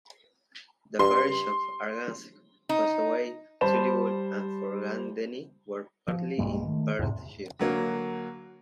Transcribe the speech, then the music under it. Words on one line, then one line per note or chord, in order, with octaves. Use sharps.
The parishes of Arngask, Fossoway, Tulliebole and Forgandenny were partly in Perthshire.
G2 C6
D#4
G3 C5 A5 B5 E7
F3
B1 G2 G#3 A#3
D#3 A3
E2 G#2 C3
D3 F#3 A#3